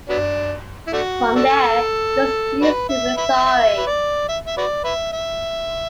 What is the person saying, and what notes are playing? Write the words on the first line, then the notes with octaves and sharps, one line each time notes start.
From there it goes east to Missouri.
F#3 B3 D4
E4
A3 D4 F#4
D4 F#4 A4
D4 F#4 B4
E5
B4 E5
E5
B4
D5
E5
E5
F#4 B4 D5
B4 E5
E5